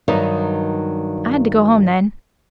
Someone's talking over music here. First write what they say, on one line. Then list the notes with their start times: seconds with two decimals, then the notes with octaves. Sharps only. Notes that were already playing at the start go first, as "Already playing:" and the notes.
I had to go home then.
0.08 G2 D#3 F#3 D#4